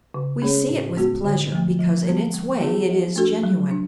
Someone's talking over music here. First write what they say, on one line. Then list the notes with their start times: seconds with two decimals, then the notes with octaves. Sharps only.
We see it with pleasure, because, in its way, it is genuine.
0.14 C#3
0.42 G#3 C#4 G#4 C#5
0.69 A2
0.97 G#3 B3 F#4
1.24 D3
1.52 F3 A3
1.79 F3
2.07 G#3 B3
2.34 G#3
2.61 B3 F4 G#4
2.89 F3
3.16 A3 D4 F#4 A4
3.43 F#3
3.71 D4